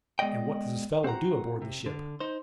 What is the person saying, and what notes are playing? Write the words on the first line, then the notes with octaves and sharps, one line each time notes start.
"And what does this fellow do aboard the ship?"
G#3 B3 D5 D#5 G5
C4 F#4 F#5 A#5
C3
D3
D#4 C5